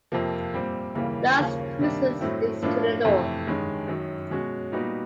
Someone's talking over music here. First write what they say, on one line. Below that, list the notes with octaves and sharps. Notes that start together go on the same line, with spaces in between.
Las Cruces is to the north.
F2 C3 F3 A#3
A#2 G3 C4
D#2 C#3 E3 G3 A#3
D#2 C#3 F3 A#3 C#4
C3 D#3 G3 A#3 D4
A2 F#3 A3 C4 E4
A2 F3 A#3 D4 F4
F2 C3 E3 A3
G2 D#3 G#3 C#4
F#2 D#3 F#3
B2 G#3 C#4 F#4
A#2 G3 B3 D#4 F#4